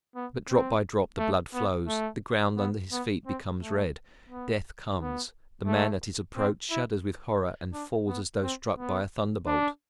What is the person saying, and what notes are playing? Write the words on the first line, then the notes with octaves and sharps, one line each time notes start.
But drop by drop the blood flows, the ground under his feet becomes red; death comes; the man, at his approach, shudders with horror and falls as though struck by a thunderbolt.
B3
C4
A3
B3
A3
B3
B3
C4
A3
B3
B3
A3
C4
E4
D4
B3
C4
B3
D4